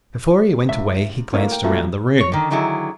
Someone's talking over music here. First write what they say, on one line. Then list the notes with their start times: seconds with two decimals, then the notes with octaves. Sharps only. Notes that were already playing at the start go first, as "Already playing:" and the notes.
Before he went away, he glanced around the room.
0.69 C#2 E5
1.33 A2 A#3 C#4 C#5 E5
1.48 A#4 G5
1.64 F#2 A#2 G3 A3
2.20 C#5
2.32 D3 D#3
2.50 D3 D#3 F#3 E4 G#4